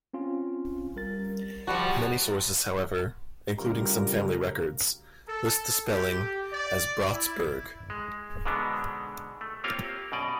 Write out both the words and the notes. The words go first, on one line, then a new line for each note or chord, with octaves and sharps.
Many sources, however, including some family records, list the spelling as "Bratsburg".
C4 C#4 F4
G3 A#4 A6
F3 G3 F#4 A5
D2 C#3 G3 F4 G4 A#4
A4
G4
D5
E4
G#3
G#2 B2 D3 G#3 B3 D4
A3
A#3 C4 F4 G4 C#5 F5
F#2 B2 D5 D#5